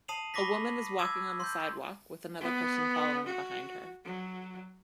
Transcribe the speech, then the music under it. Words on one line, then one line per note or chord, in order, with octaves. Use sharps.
A woman is walking on the sidewalk with another person following behind her.
A5 D#6 C7 D#7 F7 F#7
B5 C#6 D6 A#6 B6
D6 E6 G#6
C6 G6
B3
F#4
F#3